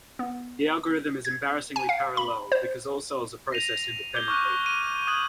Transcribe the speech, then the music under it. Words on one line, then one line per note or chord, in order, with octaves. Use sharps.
The algorithm is embarrassingly parallel, because all cells are processed independently.
B3
G#6
G#5
F5
B5
C5
A#6 C7 D#7 F7
D6 G6 G#6 G7
C#6 D6 F6 F#6 D#7
D#7
D#6 F#6 G#6 D#7 F#7